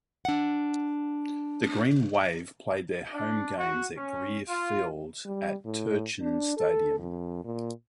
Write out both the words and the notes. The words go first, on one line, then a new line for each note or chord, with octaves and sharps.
The Green Wave played their home games at Greer Field at Turchin Stadium.
D4 F#5
D4
F#4
C#4
F4
G3
A2
D4
A4
F2
A#2